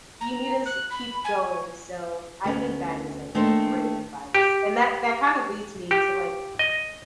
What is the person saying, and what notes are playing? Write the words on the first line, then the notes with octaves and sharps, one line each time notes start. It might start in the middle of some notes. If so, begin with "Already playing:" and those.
you need to s keep going, so, I think that is like great advice. And that that kind of leads me to like,
A#5
F#6
B5
G#5
D2 B3 C#4
D#3 A3 A#3 D4 C5
G4
G4
D#5